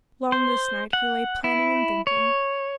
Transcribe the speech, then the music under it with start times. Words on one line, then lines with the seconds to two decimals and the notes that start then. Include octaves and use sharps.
Long this night he lay planning and thinking.
0.32 C5
0.93 F#5
1.44 E4
2.07 C#5